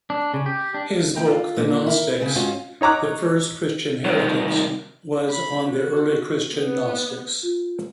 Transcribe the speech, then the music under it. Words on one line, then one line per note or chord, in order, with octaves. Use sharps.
His book "The Gnostics: The First Christian Heretics", was on the early Christian Gnostics.
D4
C#3
G4
D4
F3 C4 G5 A#5
F4
A#2 A#3
E4 A#4
C#3 C4
G#2 C#4 F4 F#4
D#4 C#5 A#5 D6 F#6
C2 D#3
B5
F#4
B3
F4